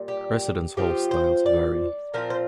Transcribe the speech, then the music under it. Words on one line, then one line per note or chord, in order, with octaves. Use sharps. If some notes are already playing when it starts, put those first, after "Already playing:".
Residence hall styles vary.
Already playing: A#2 G3
G4
F3 C4 F4 G4
C5
D5
A#2 F3 C4 F4 A#4
C5